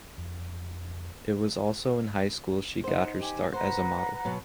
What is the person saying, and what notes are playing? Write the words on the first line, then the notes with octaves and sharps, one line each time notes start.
It was also in high school she got her start as a model.
F2
D#4 C5 F#5
G4 G#5
B4 C5 F#5 A#5
B2 F#3